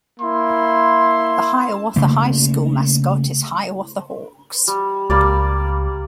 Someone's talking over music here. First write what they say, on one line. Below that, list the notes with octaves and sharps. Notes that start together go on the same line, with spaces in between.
The Hiawatha High School mascot is Hiawatha Hawks.
A#3 E4 C6
C#3 A3 A#3
G3
C#2 G3 A#3 D5